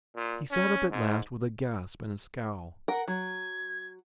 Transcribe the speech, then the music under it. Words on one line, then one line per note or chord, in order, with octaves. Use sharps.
He sat up at last with a gasp and a scowl.
A#2
C#4
G#2
A#4 F#5
F#3 G#6